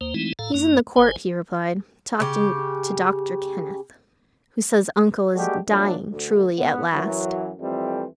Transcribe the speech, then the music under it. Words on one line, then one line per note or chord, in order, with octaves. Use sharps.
'He's in the court,' he replied, 'talking to Doctor Kenneth; who says uncle is dying, truly, at last.
D#2 A#3 C5
E3 G#3 A3 C4 D#4 E4
A2 A4 F5 A#5
F#2 A#3 D#4
G#1 C5 G#5
C#3 G4
G3 G#3 A#3 F#4 G4 A4
A#2 F#3 A3 A#3 D4 A4
D2
B3
F#2 E3 F#3
F2 E3 G3 A3 C4